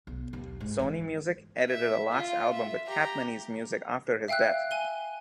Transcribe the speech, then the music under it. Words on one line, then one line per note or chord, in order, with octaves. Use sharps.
Sony Music edited a last album with Capmany's music after his death.
B1
D#2
G#2
E3
E5
F4
E5
G4 A#5
E5 F5 G5 E6 F#6
G#5 D#7 G7